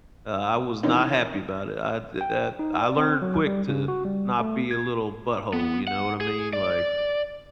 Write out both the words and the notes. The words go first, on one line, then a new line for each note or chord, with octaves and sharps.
Uh, I was not happy about it, I did that I learned quick to not be a little butthole, you know what I mean? Like
D#3 E3 C4 C#4 D#4
G5
D#4
D5
C4
F#3
G3
C#3
F#4
G3
A3
G#6
B3
F#5
G#4
D5